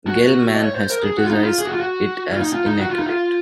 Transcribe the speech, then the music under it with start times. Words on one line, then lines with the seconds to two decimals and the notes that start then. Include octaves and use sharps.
Gell-Mann has criticized it as inaccurate.
0.07 F#4
0.54 D#5
0.62 C#5
0.75 C5
0.90 A#4
1.03 G#4
1.17 F#4
1.25 F4
1.31 D#4
1.44 F4
1.58 G#4
1.65 F#4
1.72 F4
1.80 F#4
2.33 F4
2.41 D#4
2.53 F4
2.67 D#4
2.80 F#4
2.90 F4
2.99 D#4
3.07 F4